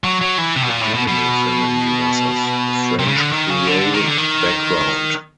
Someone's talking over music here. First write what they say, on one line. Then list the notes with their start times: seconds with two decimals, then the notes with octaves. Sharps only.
The Domino family was of French Creole background.
0.04 F#3
0.21 F#3
0.38 E3
0.56 C3
0.63 B2
0.69 A#2
0.81 A2
0.94 B2
1.08 B2
2.99 C3
3.08 C#3
3.16 D3
3.33 D#3
3.50 C#3
3.67 D3
3.94 D#3
4.05 D3
4.17 D#3